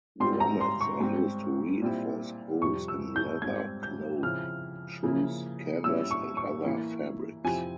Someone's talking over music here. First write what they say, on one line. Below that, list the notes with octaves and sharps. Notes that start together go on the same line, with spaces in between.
Grommets are used to reinforce holes in leather, cloth, shoes, canvas and other fabrics.
G#2 G3 C4 F4 C6
A#5
C6
C#6
G#2 G3 C4
A#2 G3 C4 E4
F2 C3 G3 C#6
E6
G6
G#2 G3 C4 G#6
G6
C#3 F3 C4 E4 F6
C#3 F3 A#3 E4
A#2 G3 C#4 E4 E6
C#6
C#6
E3 A#3 E4
F2 C3 F3 C4 E4 G#5